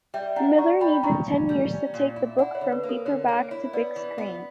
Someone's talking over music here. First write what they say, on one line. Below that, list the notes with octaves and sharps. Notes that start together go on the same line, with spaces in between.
Miller needed ten years to take the book from paperback to big screen.
G3 E5 G5
D4 F#5 A#5
G3 A#5 C#6
G3 G5 B5
A#2 A#5 C#6
C#4
G3
C#4
A#2
E4
E4 D5 F#5
C#5
D3
B4
A#3
A#4
D3 C#5
A#3 C#5
E4 C#5
B3 B4 D5
E3
B3